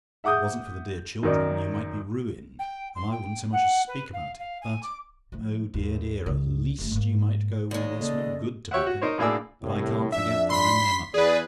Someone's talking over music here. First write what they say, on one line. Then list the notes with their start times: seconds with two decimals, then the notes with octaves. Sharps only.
If it wasn't for the dear children, you might be ruined and I wouldn't so much as speak about it, but--oh, dear, dear! at least you might go where they smoke GOOD tobacco--but I can't forget that I'm their mother.
0.24 E5 F#5 D6 D#6 G6
1.23 F#2 D#3 D#4 A#4 D5
2.59 G5
2.95 C6
3.11 G5
3.52 F#5
3.88 B4
4.13 F5
4.39 F5
4.62 G#5
4.83 D6
5.32 F3 A3
5.74 D#2
6.26 C#2
6.78 G1 A3
6.92 G#2 A#3
7.71 D#2 G#3 D#4 D5
8.00 C#3 A#3 A4 D5 D#5
8.71 G4 C#5 E5 F#5
8.86 F#4
9.01 D#4 A#4 C5 C#5
9.18 B1 A2 A#3 D4 G#4 E6
9.62 C2 A2
10.12 F2 D4 D5 E5
10.50 B5 C6 B6
11.14 E2 G#4 B4 D5